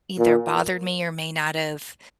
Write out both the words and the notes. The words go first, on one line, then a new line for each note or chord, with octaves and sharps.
either bothered me, or may not have,
A#2